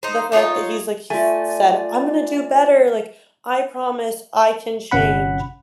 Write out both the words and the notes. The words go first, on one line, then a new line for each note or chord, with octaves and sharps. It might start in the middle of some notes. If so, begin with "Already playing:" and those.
the fact that he's, like" he's said, "I'm gonna do better. Like, I promise I can change."
D#4 C5
D4 D#4 F4 C#5
A3 F4 D5 G#5
G1 C3 C#4 F#5 B5